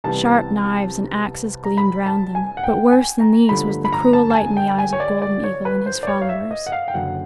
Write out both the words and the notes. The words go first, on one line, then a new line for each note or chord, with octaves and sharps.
Sharp knives and axes gleamed round them, but worse than these was the cruel light in the eyes of Golden Eagle and his followers.
C2 C3 E3 G3 B3 A5
A#5
B5
A5
G#5
F#5
G5
G#5
A#5
G1 G2 D3 F3 A3 B5
B5
A#5
A5
A5
G#5
G5
G#5
C#5
D5
D5
C#5
B4
C5
D5
C#5
F5
E5
D#5
F#5
F5
G5
F#1 F#2 D3 F#5